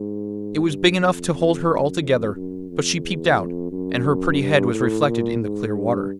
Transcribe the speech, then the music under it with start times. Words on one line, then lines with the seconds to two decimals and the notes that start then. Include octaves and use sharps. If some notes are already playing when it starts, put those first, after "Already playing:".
It was big enough to hold her altogether, but she peeped out, and her pretty head was reflected in the clear water.
Already playing: G#2
0.65 G2
1.00 F2
1.34 F2
1.68 F#2
2.02 F2
2.36 F#2
2.70 F2
3.04 E2
3.38 F2
3.71 F#2
4.40 G2
4.74 A2
5.07 A#2
5.42 G#2
5.76 G2